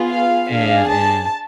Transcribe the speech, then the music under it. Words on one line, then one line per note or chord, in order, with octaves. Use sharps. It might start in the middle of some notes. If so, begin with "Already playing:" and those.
And and
Already playing: B3 F4 G#4
F5
D4 G#4 F5
A5